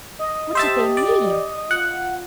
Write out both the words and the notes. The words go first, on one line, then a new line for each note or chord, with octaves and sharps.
What did they mean?
D#5
G4 C5 E5 A5
D5
F4 F#5